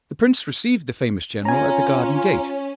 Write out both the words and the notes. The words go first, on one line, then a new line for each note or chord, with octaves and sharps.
The prince received the famous general at the garden gate.
C#4 F4 G#5 A#5